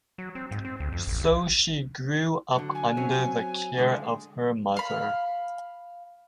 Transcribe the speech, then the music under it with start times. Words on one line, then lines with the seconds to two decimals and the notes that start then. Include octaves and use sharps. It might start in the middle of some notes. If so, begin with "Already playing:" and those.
So she grew up under the care of her mother.
0.18 F#3
0.35 C4
0.51 G#2
0.65 C4
0.80 D2
0.92 F2
1.07 A1
1.20 C2
2.56 D3 F#3
2.75 G#5
2.97 F#3 C4 C#4
3.77 D3 G#3 A3
4.77 F5 B5